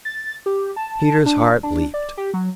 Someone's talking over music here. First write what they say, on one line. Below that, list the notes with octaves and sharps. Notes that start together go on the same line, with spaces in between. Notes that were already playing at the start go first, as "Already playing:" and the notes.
Peter's heart leaped.
A6
G4
A5
D4
D4
D5
G4
F#3